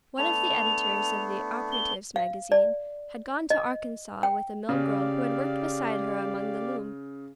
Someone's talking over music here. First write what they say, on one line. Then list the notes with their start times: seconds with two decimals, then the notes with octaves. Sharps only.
One of the editors of the "Operatives' Magazine" had gone to Arkansas with a mill-girl who had worked beside her among the looms.
0.18 A3 B3 D4 F7
1.72 G7
2.16 F5
2.52 D5
3.50 D#5
4.23 G5
4.69 C#3 G4 D5 F5